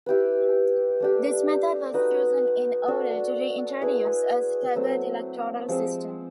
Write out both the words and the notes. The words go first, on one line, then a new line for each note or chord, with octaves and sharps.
This method was chosen in order to reintroduce a staggered electoral system.
E4 G4 B4
A3 D4 G4
D#4 F#4 B4 D#5
D4 F#4 A4
E4 G#4 B4
F#3 A3 C4
F3 G#3 C4